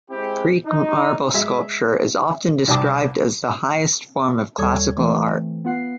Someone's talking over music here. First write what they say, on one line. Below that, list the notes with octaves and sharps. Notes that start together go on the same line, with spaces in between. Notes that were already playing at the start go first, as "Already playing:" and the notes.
Greek marble sculpture is often described as the highest form of Classical art.
G#3 C4 E4 G4
D#4
G#3 E5
C2 D4 G4 A5 D6
D#2 G3 A4 C#5 G#6
E3 A3 C4
B3 F4 F#5 C7